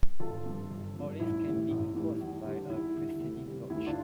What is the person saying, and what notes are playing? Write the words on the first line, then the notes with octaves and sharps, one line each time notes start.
All these can be enforced by a preceding "doch".
G1 F4 A4
G2 F3
G1
G2 F3
A1 E4
A2 E3 G3
A1
A2 E3 G3
E2
D3 G3
E2 E4
D3 G3
D2
C3 G3
D2 E4
D4 F4